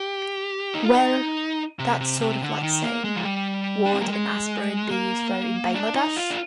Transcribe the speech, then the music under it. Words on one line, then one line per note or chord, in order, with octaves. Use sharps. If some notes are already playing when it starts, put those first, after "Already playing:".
Well, that's sort of like saying, 'Would an aspirin be useful in Bangladesh?
Already playing: G4
D#4
F4
D#4
C3
C3
C3
D3
D#3
A#3
G#3
F3
G3
D4
C4
A#3
G#3
A#3
D4
D#4
F4
D4